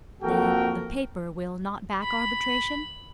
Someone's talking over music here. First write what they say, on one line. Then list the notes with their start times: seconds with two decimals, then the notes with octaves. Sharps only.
"Then the paper will not back arbitration?"
0.22 F2 A#3 F#4 A4 A#4 G5
2.02 B5